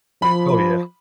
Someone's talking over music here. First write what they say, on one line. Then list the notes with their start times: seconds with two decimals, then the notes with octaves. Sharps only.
Oh, yeah.
0.22 F3 B5